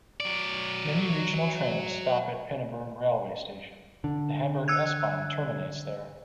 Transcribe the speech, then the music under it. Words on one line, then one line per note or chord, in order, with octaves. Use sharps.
Many regional trains stop at Pinneberg railway station; the Hamburg S-Bahn terminates there.
F#3 D5
D3
E6 F#6 G#6